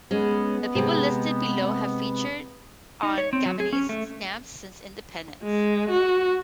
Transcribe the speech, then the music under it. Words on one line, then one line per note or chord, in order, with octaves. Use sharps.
The people listed below have featured on Gabonese stamps since independence.
G#3 B3 C#4
C3 G#3
D#4
C#5
C4
F#3
G#4
C#4
A3
G#3
F#4